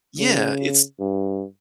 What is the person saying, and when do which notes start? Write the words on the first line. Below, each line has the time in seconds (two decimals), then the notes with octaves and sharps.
Yeah, it's
0.19 C#3
1.00 G2